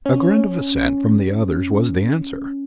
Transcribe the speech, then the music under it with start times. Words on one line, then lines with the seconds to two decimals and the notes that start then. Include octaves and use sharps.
A grunt of assent from the others was the answer.
0.06 C#4